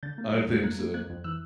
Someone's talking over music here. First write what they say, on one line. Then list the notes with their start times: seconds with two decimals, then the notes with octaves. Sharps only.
I think so.
0.03 D3 G6 A6
0.18 A#3
0.33 G3
0.48 F2
0.63 A#3 F#6 G#6
0.79 A#3
0.94 A#3 F#6 G#6
1.09 F2
1.24 E3 E6 F#6